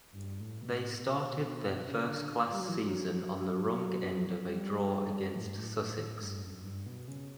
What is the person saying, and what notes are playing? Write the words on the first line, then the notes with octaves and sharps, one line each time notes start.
They started their first-class season on the wrong end of a draw against Sussex.
G2
A2
B2
A2
B2
C#3
D3
G3
F#3
E3
F#3
G3
A2
G2
A2
A2
G2
F#2
F#2
G2
B2
C#3